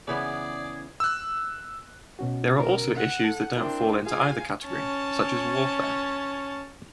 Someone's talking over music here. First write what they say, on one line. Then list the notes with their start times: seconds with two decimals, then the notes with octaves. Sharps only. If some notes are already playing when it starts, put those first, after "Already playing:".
There are also issues that don't fall into either category, such as warfare.
0.08 C#3 E3 B3 G#4 D5
1.00 E6 F#6
2.19 B2 C#4 F#4
2.60 A#4
2.95 F#5
3.24 A4
3.57 C4 D4 E4 A#4
4.06 F4 G#4 F5 G#5
4.67 C#4 A5